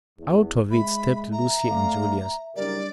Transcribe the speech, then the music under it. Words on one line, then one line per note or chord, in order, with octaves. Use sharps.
Out of it stepped Lucy and Julius.
E2
G#3 E5 B5
E5 A#5
A3 D5 F5
F#1 G3 D4 G4 A#4 D5